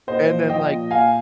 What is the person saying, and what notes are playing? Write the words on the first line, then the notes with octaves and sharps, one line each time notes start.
and then, like
A#2 C5 D#5
F3
F3 D#5 G5
A#2
A#2 F5 G#5